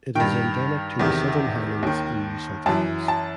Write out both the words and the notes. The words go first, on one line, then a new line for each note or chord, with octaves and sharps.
It is endemic to the Southern Highlands in New South Wales.
G2 D#3 G5
E2 C3 D#3
D#2 D#3
F#2 E3 A5
A5